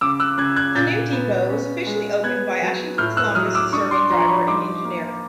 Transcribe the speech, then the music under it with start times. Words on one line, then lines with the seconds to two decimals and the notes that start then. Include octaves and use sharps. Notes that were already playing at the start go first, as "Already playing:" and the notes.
The new depot was officially opened by Ashington's longest serving driver and engineer.
0.01 C#3 D6 E6
0.20 E6 F#6
0.38 C#3 F#6 G#6
0.56 F#6 G#6
0.75 A#2 G6 A6
1.12 B3
1.50 C#4
1.87 G#3
2.24 B3 F#6 G#6
2.62 F#3
2.98 A2 F6 G6
3.17 E6 F#6
3.35 F#3 D#6 F6
3.55 D6 E6
3.73 D4 C#6 D#6
3.91 C6 D6
4.09 F3 A#5 C6
4.28 B5 C#6
4.47 D#4 C6 D6
4.85 A#3